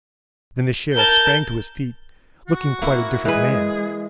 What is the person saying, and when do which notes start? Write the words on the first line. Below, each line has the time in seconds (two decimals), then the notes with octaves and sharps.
Then the Sheriff sprang to his feet, looking quite a different man.
0.95 A#4 A5 G6
2.47 F#4
2.81 A#3 E4
3.25 E3 G#3 G#4 B4